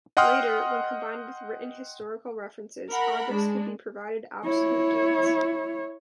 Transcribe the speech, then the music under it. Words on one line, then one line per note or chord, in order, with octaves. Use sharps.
Later, when combined with written historical references, objects could be provided absolute dates.
D#5 F#5 G5 C6 D#6 F6
A#4 F#5 B5
G#3 D4
E4 C#5